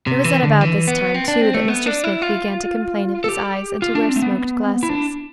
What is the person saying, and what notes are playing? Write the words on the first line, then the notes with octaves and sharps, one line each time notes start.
It was at about this time, too, that Mr. Smith began to complain of his eyes and to wear smoked glasses.
C3
E3
D3
E3
B3
C4
D4
C4
A3
B3
D4
E4
F4
A4
G4
F4
D4
C4
A3
B3
E4
D4